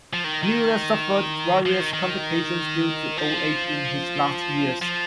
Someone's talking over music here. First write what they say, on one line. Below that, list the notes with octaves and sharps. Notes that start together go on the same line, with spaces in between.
Miller suffered various complications due to old age in his last years.
F3
D#3
D#3
F3
D#3
D#3
F3
F3